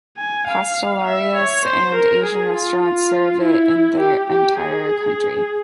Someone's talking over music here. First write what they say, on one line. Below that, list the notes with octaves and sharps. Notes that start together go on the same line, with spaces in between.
"Pastelarias" and Asian restaurants serve it in the entire country.
G#5
F5
E5
C#5
C5
A#4
G#4
F4
F4
E4
G4
G4
G#4